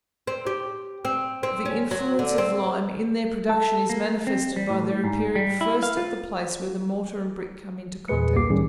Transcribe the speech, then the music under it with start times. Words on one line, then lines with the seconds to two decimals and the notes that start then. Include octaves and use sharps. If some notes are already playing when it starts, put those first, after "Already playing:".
The influence of lime in their production is manifested by their appearing first at the place where the mortar and brick come into contact.
0.27 C4
0.47 G4
1.05 C4
1.43 C4
1.65 C#4
1.91 F#3
2.19 D3
2.38 C4
3.49 A4
3.90 A#3
4.27 C4
4.56 G3
4.70 A2
5.04 G#2
5.35 G3
5.61 E4
5.83 F5
5.97 F4
8.08 E2 A#2 G#4 B4 C#7
8.36 C2 A#3 G4 D6 C7
8.49 A2 D#3 G3 C#4 G#4